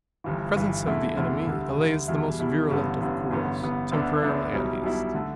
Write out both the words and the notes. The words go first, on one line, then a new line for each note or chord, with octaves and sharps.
The presence of the enemy allays the most virulent of quarrels, temporarily at least.
G1 G2 E3
G1 G2 E3
E2 D3 A3 E4
E2 D3 A3 E4
D2 D3 G3
D2 D3 G3
E2 B2 G3 E4
E2 B2 G3 E4
A1 G2 D3 B3
A1 G2 D3 B3
A1 G2 D3 B3
A1 G2 D3 B3
D2 D3 B3 D4
D2 D3 B3 D4
B1 B2 G3 E4
B1 B2 G3 E4
D3 A3